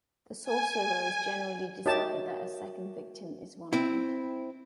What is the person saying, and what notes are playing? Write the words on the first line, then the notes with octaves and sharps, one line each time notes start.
The sorcerers generally decide that a second victim is wanted.
G#5
D#4 F#4 G4 A#4 C#5 E5 A5
C4 E4